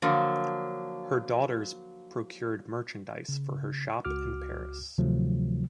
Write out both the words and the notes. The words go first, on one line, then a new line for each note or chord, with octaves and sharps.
Her daughters procured merchandise for her shop in Paris.
D3 F3 F#3 A#3
C#3
C#2 F#4 D6 F6
D2 C3 D#3 F3 F#3 A3